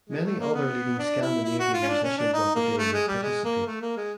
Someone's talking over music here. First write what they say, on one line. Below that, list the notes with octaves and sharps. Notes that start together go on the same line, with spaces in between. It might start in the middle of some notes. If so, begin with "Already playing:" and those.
Many other leading Scandinavian musicians of the day would participate.
G#3
A3
A#3
B3
D4
E4
E4
F#4
F4
C#4
D4
C#4
D4
D#4
A#3
A3
G#3
G3
G#3
A#3
A3
A#3
G#3